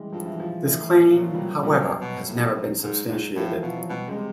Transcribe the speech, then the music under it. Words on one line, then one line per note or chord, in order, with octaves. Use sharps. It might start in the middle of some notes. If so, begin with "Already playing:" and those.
This claim, however, has never been substantiated.
Already playing: E3 G3 G#3
G2 F3
E3
F3
A#2 E3
A2
A#2
F#3
F3
G3
F#3
A#2 G3
B2 F#3
B2
A2
G#2
G#2
A2 F3
E3
B2 F3
F#3
B2 G3
C#3 G#3
C3